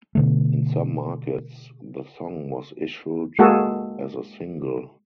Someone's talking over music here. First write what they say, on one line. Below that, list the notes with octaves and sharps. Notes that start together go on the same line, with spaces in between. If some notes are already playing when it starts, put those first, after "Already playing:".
In some markets, the song was issued as a single.
B2 D3 A3
G#3 A#3 F#4 G#4 A4